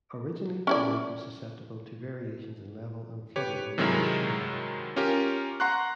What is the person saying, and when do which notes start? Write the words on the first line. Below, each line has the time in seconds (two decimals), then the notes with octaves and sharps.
Originally the lake was susceptible to variations in level and flooding along its shoreline.
0.67 C#4 E4 D5
3.36 G4 B4 C#5
3.78 C3 D#3 F#3 G#3 E4 A#4
4.96 C#4 F4 G4 A#4
5.60 F#5 A#5 C6 C#6 F#6